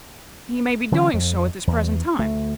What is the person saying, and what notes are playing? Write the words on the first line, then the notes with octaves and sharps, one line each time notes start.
'He may be doing so at this present time.'
D3 E3 F#3 C#4
F2
E2
D2 A3